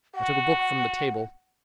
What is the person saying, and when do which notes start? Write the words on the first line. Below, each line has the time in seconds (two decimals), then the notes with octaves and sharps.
I took a book from the table.
0.15 F#4 F#5